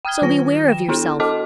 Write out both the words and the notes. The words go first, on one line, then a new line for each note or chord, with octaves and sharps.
So beware of yourself.
G5 D#6 F6 G#6 G7
D#3 F4 A#6
G5 E7
B3 D4 E4 A4
F#4 A4 D#5 A5 D6 F6